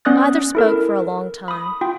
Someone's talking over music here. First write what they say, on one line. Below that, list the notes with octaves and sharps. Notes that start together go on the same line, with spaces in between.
Neither spoke for a long time.
B3 C#4 D5 D#6 F#6 A6
E4 A4 A#4
B5 D#6
F4 G5